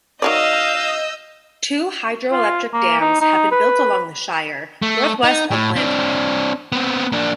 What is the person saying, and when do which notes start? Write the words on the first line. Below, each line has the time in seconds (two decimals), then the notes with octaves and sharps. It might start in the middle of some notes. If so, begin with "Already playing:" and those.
Two hydroelectric dams have been built along the Shire northwest of Blantyre.
0.22 D#3 F#3 D5 D#5 F5 E6 G6
0.75 D#5
2.32 F4
2.74 A#3
3.01 D#4
3.21 D#4
3.51 B4
4.82 A3
5.24 D#4
5.51 A2
5.76 C4 D4
6.72 B3 C4
7.12 A#3 D4